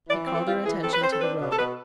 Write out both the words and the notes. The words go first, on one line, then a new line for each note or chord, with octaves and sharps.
He called her attention to the road.
E3 D5
C4
A4
E3 F4
E3 G#4
C4 A4
B4
C4 C5
A4
D4 B4
B2
A4
B2 B4